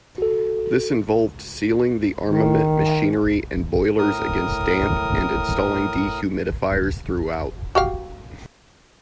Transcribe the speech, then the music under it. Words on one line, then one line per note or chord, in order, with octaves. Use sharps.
This involved sealing the armament, machinery and boilers against damp and installing dehumidifiers throughout.
F#4 A4
D#3
A2 A#4 D#6
F#4 G4 F5